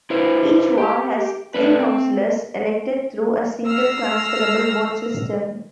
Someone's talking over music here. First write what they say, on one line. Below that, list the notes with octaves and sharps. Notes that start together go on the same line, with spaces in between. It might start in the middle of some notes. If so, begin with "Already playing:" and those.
Each Ward has three councillors elected through a single transferable vote system.
E4 B4 C5
G4
A3 D4 B4
C4
E6 F6 A#6 C7